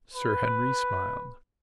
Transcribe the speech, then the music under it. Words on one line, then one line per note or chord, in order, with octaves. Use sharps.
Sir Henry smiled.
B4